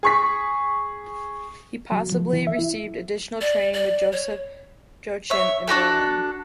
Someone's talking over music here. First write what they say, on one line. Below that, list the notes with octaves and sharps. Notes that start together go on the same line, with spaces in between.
He possibly received additional training with Joseph Joachim in Berlin.
G#4 C#6 B6
F#3
F3
E3
E5
E4
D5
D5
C#5
C#5 E5
D4 F#4 G4 A4